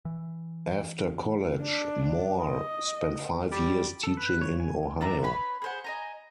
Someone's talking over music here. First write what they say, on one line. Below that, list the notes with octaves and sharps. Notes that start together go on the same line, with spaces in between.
After college Moore spent five years teaching in Ohio.
E3
D4
D#5
G3
A4
B4
C#5
G#5
D4 D5 E5 A#5
B4 C#5 B5 C6
G#4 C5 F#5
D#5 G#5 A#5